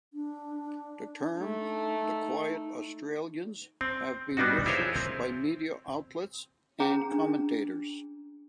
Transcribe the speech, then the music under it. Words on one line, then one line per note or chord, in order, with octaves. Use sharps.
The term "The Quiet Australians" has been referenced by media outlets and commentators.
D4
A3 D#4
C4
G3 B3 D4 D#4 F#4
E4 F4 G#4 A#4 C5 C#5
C4
C#4 G#4 A#5
D4